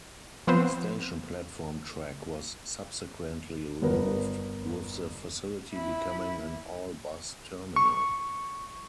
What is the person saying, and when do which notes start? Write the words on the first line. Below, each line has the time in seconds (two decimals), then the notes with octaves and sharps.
Station platform track was subsequently removed with the facility becoming an all-bus terminal.
0.47 F3 B3 C4 C5
3.82 G1 B3 A#4 B4
5.73 E4
7.76 C#6